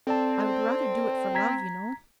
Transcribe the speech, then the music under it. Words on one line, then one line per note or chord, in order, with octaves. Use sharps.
"I would rather do it for love, you know."
C4 A4 D5 A5
A#5 G#6 B6